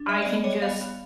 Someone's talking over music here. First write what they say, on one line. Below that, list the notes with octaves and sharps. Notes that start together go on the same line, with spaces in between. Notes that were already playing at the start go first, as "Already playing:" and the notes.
I can just
Already playing: D4
G3 E5
D5
B3 D#5
G3 C#5
B3 F5
B3